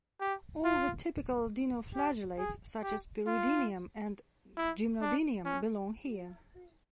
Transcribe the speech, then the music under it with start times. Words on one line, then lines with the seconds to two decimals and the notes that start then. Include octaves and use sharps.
All the "typical" dinoflagellates, such as "Peridinium" and "Gymnodinium", belong here.
0.21 G4
0.64 F4
1.95 G4
2.38 G#4
2.83 G4
3.27 F4
4.57 E4
5.01 D4
5.45 C#4